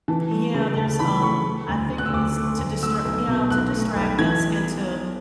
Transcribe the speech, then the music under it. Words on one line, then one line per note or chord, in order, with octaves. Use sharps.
Yeah, there's, um, I think it's to distra yeah, to distract us and to
E3 A5
A3
C#3
D2 A5
E3 B5
A3 C#6
A3
D2
D3
F#6
E6
D2 D6
A3
D2
A3 E6
B1
B2
B1 F#6
A3
B1
E3 G#6